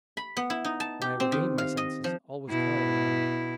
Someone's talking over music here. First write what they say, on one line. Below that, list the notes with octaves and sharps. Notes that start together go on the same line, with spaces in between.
When I regained my senses, all was quiet around me.
B5
B3
E4
D#4
A5
G4
C4
D#3
F5
D#5
F3
B2 E4